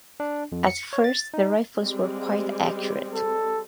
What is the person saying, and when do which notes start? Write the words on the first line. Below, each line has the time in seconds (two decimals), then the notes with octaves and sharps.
At first the rifles were quite accurate.
0.20 D4
0.52 F2
0.67 C#7
0.93 C#5
1.04 A6
1.34 D#4
1.80 G3 G#3 C4
3.14 A4